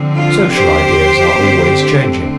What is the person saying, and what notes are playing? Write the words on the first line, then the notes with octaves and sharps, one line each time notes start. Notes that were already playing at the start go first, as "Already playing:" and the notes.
Social ideas are always changing.
Already playing: D3 F3 C4
F4
G4 C5
D3 A3 C4